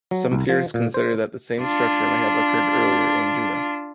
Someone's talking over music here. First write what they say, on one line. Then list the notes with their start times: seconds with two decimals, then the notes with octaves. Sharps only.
Some theorists consider that the same structure may have occurred earlier in Judah.
0.11 F#3
0.32 C2
0.49 F3
0.74 A#2
0.94 C5
1.61 D4 F4